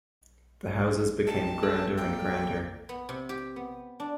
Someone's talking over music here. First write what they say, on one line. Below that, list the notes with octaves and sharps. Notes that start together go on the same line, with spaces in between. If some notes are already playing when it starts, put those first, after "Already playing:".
The houses became grander and grander.
D#4 G4 A5
A4
A#3 D5 G5
B3
C3
G4
B3
D4